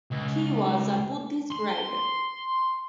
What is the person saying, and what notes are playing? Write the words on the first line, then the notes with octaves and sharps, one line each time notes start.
He was a Buddhist writer.
C#2
C6